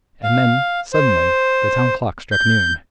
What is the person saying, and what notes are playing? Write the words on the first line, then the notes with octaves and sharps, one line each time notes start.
And then, suddenly, the town clock struck noon.
F5
C5
G6